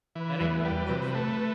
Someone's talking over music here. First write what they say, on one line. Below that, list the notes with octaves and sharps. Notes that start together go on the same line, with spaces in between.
'That ain't no word for it.
E3 B4
E2
G3
C3
A3